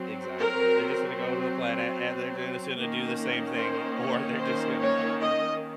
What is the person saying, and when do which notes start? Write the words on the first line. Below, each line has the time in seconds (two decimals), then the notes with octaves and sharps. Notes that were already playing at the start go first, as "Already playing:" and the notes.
Exactly. They're just gonna go to the planet, and they're j gonna sonna do the same thing, or they're just gonna die.
Already playing: F#3 C4
0.40 A#4
2.80 D#3 A#3 C#4
3.59 C5
4.00 C#5
4.39 C5
4.79 C#5
5.19 D#5